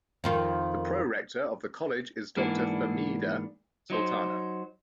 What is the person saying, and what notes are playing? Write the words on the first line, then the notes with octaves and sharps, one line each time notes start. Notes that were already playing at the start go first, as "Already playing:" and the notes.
The pro-rector of the college is Doctor Fehmida Sultana.
F2 D#3 F4
G#2 E3 A#3 B3 D4
F#3 D#4 C5